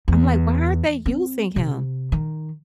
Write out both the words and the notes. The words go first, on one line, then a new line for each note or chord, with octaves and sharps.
I'm like, "Why aren't they using him?"
E2
C4
C3
D#3